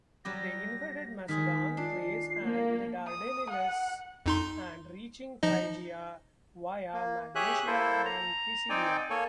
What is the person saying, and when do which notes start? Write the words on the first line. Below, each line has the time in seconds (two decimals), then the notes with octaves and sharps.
They invaded Macedon, Thrace, and the Dardanelles, and reaching Phrygia via Magnesia and Pisidia.
0.25 F#3 G3 G4 A#6
1.28 D#3 G#3 D#4 G#4 B6
1.77 D4 F4 C7
2.41 A#3
3.07 D#6
3.50 F#5
4.26 F2 D#4 C6
5.43 F3 D#4 D#5
6.93 A#3
7.35 G4 G#4 C#5 E5 G#5 F#6
7.67 A#3 E4 A4 C5
8.05 A#5
8.69 C4 D#4 D5 G5 G#5
9.10 A#3 A4 C#5 G#5